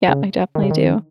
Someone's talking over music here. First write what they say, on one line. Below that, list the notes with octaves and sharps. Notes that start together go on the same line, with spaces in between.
Yep, I definitely do.
C#3
D#3
C#3
D#3